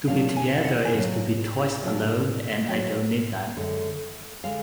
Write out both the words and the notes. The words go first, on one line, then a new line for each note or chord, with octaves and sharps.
To be together is to be twice alone and I don't need that.
A#2 F#3 D4 F5
G#5
F5
F#5
G#5
A#2 F#3 D4 F#5
A#2 F#3 D4
A#2 F#3 D4
F#2 D3 G#3
D3 G#3 F5